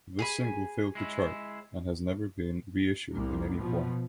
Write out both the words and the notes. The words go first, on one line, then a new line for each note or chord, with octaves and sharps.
This single failed to chart and has never been reissued in any form.
G#4 G#5 B5
G#3 E4
C2 A#3
B2 F3